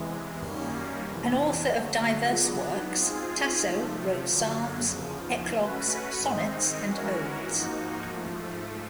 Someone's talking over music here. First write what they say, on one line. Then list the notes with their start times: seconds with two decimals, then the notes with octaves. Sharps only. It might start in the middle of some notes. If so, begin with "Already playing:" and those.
An author of diverse works, Tasso wrote psalms, eclogues, sonnets and odes.
Already playing: E2 C3 E3 G#3
0.38 F#2 D#3 G3 A#3 C#4
1.03 F2 C3 E3
1.67 D3 F#3 A3
2.31 F#3 B3 D4
2.95 G#3 C4 F4 G#4
3.60 C3 F3 A3
4.24 F#2 D3 F#3
4.89 E2 C#3 F3
5.53 A3 C#4 F#4 B4
6.17 G#2 D#3 G#3 C4 D#4
6.81 E3 G#3 C#4 F#4 A#4
7.46 G#2 F3 A#3 D#4 F#4
8.10 G#2 F3 A3